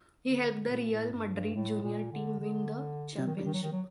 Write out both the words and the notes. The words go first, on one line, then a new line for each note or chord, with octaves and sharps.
He helped the Real Madrid junior team win the championship.
D3
A#2
A2
G2
G2
A2
A#2
D3
D3
D#3
F#3
D#3
F#3
D#3
F#3